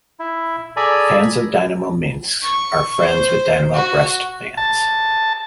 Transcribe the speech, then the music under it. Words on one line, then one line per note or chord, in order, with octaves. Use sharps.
Fans of Dinamo Minsk are friends with Dinamo Brest fans.
E4
G#4 A4 D5 G#5 A#5 B5
C#6
C5
F#4
A5